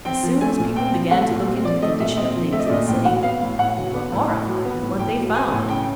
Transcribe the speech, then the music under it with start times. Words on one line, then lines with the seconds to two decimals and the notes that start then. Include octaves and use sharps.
As soon as people began to look into the condition of things in the city they were horrified at what they found.
0.05 C4 G5
0.23 F3
0.41 A3 G#5
0.59 A#2
0.76 C4 G5
0.94 F3
1.11 A3 F#5
1.29 A#2
1.47 C4
1.64 F3 D5
1.82 A3 D#5
2.00 A#2 E5
2.17 C4 D#5
2.35 F3
2.52 A3 E5
2.60 D#5
2.66 D5
2.70 A#2 D#5
2.88 A2 G5
3.05 F#3 F#5
3.23 B3 F5
3.40 A2 F5
3.58 A2 F#5
3.77 F#3
3.94 B3
4.12 A2
4.29 A2
4.47 F#3
4.65 B3
4.82 A2
4.99 A2 G5
5.18 F#3
5.35 B3 G#5
5.52 A2
5.70 C#3 G5